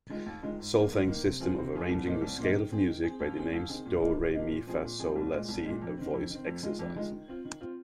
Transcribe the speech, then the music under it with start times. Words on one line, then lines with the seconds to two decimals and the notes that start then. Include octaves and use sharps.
Solfaing system of arranging the scale of music by the names do, re, mi, fa, sol, la, si a voice exercise.
0.09 D#3 G#3 F4
0.26 D#2
0.42 D#3 G#3 F4
0.59 G#2
0.74 D#3
0.79 A#3
0.92 G#2
1.07 D#3 A#3
1.24 C3
1.40 F3 C4 F4 G#4
1.57 C3
1.72 F3 C4 F4 G#4
1.89 C2
2.06 A#2 F3 A#3 D#4
2.22 C2
2.38 A#2 F3 A#3 D#4
2.54 D#3
2.71 C4 G#4
2.87 D#3
3.04 C4 G#4
3.20 D#2
3.36 D#3 C4 G#4
3.52 D#2
3.69 D#3 C4 G#4
3.86 A#2
4.02 F3 A#3 D#4
4.18 A#2
4.34 F3 A#3 D#4
4.51 A#2
4.67 F3 C4 G#4
4.84 A#2
4.99 F3 C4 G#4
5.16 C2
5.32 A#2 G#3
5.48 C2
5.65 A#2 G#3
5.82 F2
5.97 D#3 C4
6.13 F2
6.30 D#3 C4
6.46 F2
6.63 D#3 G#3 F4
6.79 F2
6.95 D#3 G#3 F4
7.12 D#3
7.28 C4 F4
7.45 D#3
7.61 C4 F4